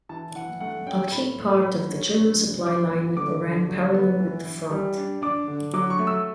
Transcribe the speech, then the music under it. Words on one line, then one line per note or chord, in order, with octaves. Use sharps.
A key part of the German supply line ran parallel with the front.
E3 A5
E3 F#5
A3 F#5
C#4 G5
A2 B5
A2
F#3 B5
C#4
D4
C#3
E3 D6
B3
D3 D6
D3
F#3
B3
E3
E3
G3
D4
D4 D6
D3
F#3 D6
C#6
A3
E6